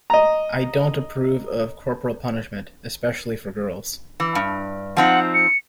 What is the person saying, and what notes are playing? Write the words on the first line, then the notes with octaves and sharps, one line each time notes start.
I don't approve of corporal punishment, especially for girls.
D#5 A#5
E3
G2
F3 C4 D#4 F#5
C#7